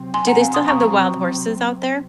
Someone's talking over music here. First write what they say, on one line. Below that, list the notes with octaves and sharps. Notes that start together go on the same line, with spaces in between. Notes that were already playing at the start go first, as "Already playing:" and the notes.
do they still have the wild horses out there?
Already playing: C3 F#3 C4
G#5 C6
F#5 A#5
F5 G#5
C6 D#6
A#5 C#6
A#5 C#6